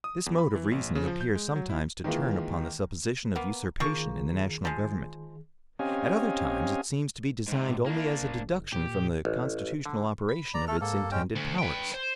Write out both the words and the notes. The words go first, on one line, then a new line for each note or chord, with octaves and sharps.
This mode of reasoning appears sometimes to turn upon the supposition of usurpation in the national government; at other times it seems to be designed only as a deduction from the constitutional operation of its intended powers.
D#6
E2
B5
E3
A#1
C#3
F3
G6
G#3
F#3
E4
D#3 E3 G#3 A#3 F4
A#3 B3
D#3 F3 A#3 G#4 C#6
F3 G#3
C4 C#4 G4 D#5 F5 G#5
G#2 C3
A2
A#3 D4 E4
F#1
A#2 G4
A1
D3
B5
D5 A#5
A3 A4 F6
G#2 A#3 A4
G2
G#3 C#4 G5
D2
B4 G5
C5